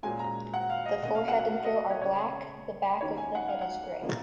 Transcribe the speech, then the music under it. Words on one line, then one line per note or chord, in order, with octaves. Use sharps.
The forehead and throat are black; the back of the head is grey.
A#2 G#3 C#4 G#5
A#5
F#5
F5
D#5
B2 A#3 C#4 D#5
F5
F#5
F#5
F5
D#5
D#5
C#5
C#2 C#3 G#3 C#4 C#5
D#2 D#3 A#3 C#4 C#5
G#5
F#5
F5
F#5
C#3 F3 A#3